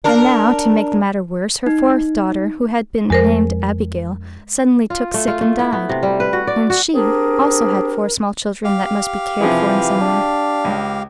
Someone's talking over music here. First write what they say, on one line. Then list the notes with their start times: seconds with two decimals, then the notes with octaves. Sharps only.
And now, to make the matter worse, her fourth daughter, who had been named Abigail, suddenly took sick and died, and she also had four small children that must be cared for in some way.
0.04 D4 A#4
1.66 D#4
3.10 F2 G#3 A#4 C5
4.90 F4
5.14 A3
5.28 F4
5.41 A3
5.59 E4
5.73 B3
5.89 C3
6.03 G3
6.20 B4
6.33 F#4
6.47 D5
6.70 F#4
6.93 C4 D4 G4 G#4 A#4
8.64 G4 F5
9.40 C3 E3 F3 G#4
10.01 D4
10.65 C#2